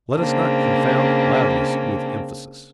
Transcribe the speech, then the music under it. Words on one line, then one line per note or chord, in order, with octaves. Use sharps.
Let us not confound loudness with emphasis.
C#3 A#3 C4 D4